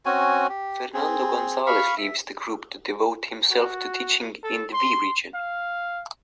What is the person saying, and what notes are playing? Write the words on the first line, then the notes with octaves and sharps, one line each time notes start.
Fernando González leaves the group to devote himself to teaching in the V Region.
C4 C#4 F#4 G#5
G4
C4 G#4
F5 B5 C#6
E5
F#4
A4
C6
F5